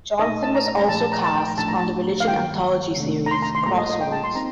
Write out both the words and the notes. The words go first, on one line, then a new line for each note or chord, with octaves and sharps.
Johnson was also cast on the religion anthology series "Crossroads".
A#2 A3 D#4 A4 D#5
A5
A#5
A#5
A#5
A#2 F3 A3 A5
A5
A#5
A5
G5
A#5
A2 F3 A3 D4 F4 A5
A#5
A5
F5
G2 D#3 G3 A#3 G5
F2 C3 D#3 A3 D4
A#5
C6
A#5
C6
A2 G3 A#3 F4 A4 A#5
D#5
D#5
G5
A5
C6
C4 D#4 A#5